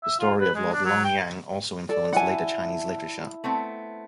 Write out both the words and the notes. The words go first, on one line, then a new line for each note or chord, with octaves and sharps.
The story of Lord Lonyang also influenced later Chinese literature.
E5
F4
B4
G#3
D4
F#3
G5
A4 D5
E4 F#5 G#5 A5
A3 B3 C4